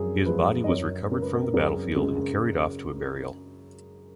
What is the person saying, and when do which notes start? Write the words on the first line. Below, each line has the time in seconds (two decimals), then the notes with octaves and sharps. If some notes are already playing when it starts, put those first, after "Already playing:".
His body was recovered from the battlefield and carried off to a burial.
Already playing: F#2 F3 G#3 G#4
0.26 F3 G#3 B4
0.64 D#5
0.69 F#2 C#5
1.11 C#3 G#3 A#4
1.22 B4
1.32 A#4
1.53 F#2 G#4
1.96 C#3 G#3